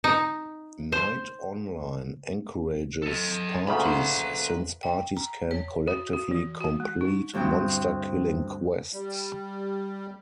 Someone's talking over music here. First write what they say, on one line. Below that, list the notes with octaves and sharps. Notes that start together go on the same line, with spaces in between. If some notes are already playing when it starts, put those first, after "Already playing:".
Knight Online encourages parties, since parties can collectively complete monster-killing quests.
D#4
C5
A4 D#5
D2 A#2 C#3 B5
B4 C6
G5
A#5
C#5
F#4
F#4
E3
F#4
G#3
D#4
D2 G2 C4 G5
G3